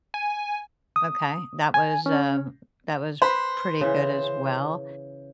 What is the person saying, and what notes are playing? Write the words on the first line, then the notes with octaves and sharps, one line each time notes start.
Okay, that was, um, that was pretty good as well,
G#5
D#6
G#5
C#4
B4 C5 B5
C#3 E3